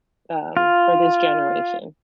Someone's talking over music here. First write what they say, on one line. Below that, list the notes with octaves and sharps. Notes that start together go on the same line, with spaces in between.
um, for this generation.
F4